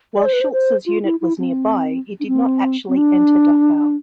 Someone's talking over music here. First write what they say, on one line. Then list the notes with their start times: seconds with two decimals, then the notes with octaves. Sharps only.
While Schulz's unit was nearby, it did not actually enter Dachau.
0.16 D5
0.25 C5
0.33 B4
0.41 C5
0.52 C5
0.86 F4
1.04 E4
1.21 E4
1.39 C4
2.20 D4
2.27 C4
2.89 C4
2.97 D4